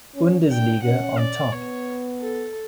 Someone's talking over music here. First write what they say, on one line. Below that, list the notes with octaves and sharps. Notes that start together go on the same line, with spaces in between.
Bundesliga on top.
C#4
D4 G5
C#4 F#5
D5
B3 C#5
A4